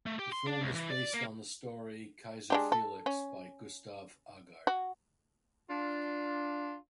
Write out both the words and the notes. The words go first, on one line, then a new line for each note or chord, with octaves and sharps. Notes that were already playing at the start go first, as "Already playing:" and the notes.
The film is based on the story "Keiser Felix" by Gustav Aagaard.
A3
G4
C6
D4
C#2
E3
D5
A#3
G#3 D4 G4
A4
C#4
F#4
D4 F4